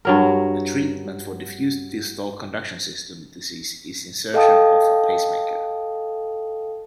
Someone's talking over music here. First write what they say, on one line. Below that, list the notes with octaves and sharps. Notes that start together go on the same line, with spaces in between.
The treatment for diffuse distal conduction system disease is insertion of a pacemaker.
G2 F#3 A#4
A4 D#5 F5 G5 A5 D#6